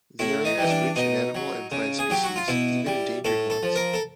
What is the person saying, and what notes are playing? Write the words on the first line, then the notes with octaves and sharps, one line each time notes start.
The area is rich in animal and plant species, even endangered ones.
A2 E4
D#4
E3 G3
D4
B2 D#4
F#3
C#3
G#4
F#3 G4
F#4
F4
B2 E4
G3
A2 A4
A4
F3
A#4
A4